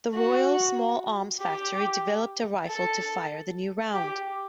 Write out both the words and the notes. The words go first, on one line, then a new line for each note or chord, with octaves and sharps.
The Royal Small Arms Factory developed a rifle to fire the new round.
F#4
G4
A4
G4